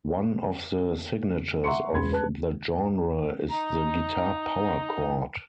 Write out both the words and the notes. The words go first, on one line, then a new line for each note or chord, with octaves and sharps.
One of the signatures of the genre is the guitar power chord.
E5 F#5 A#5 C6 C#6 C#7
E1 C#2 G#4 B5 C6 G#6
B4 A5 F#6
D#4 A#5